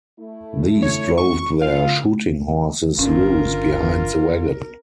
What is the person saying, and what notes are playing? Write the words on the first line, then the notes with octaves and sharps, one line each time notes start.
These drove their shooting-horses loose behind the wagon.
A3 E4
C#5
C#6
E3 F4 F5
G1 D3 C#4 F4 A#4